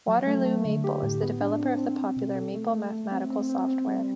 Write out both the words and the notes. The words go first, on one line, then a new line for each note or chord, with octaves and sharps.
Waterloo Maple is the developer of the popular Maple mathematical software.
F#3
A3
A3
D3
G4
A2
B3
D4
C4
C4
C4
B2
A4
A3
A3
A3
C4
C4
C4
C4
G3